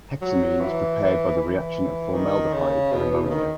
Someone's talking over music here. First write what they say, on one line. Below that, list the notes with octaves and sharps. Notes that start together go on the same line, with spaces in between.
Hexamine is prepared by the reaction of formaldehyde and ammonia.
F#3
E3
E3
D#3
C#3
B2
B2
C#3
D#3